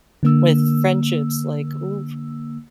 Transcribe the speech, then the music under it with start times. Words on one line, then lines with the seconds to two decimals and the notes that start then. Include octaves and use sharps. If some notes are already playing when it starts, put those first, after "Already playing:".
with friendships, like, "oof."
0.23 D3 A#3 E6